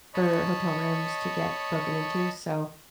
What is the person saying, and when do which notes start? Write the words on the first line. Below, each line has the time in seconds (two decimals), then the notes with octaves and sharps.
for hotel rooms to get broken into, so,
0.14 C#5 D#5 A5 B5 C#6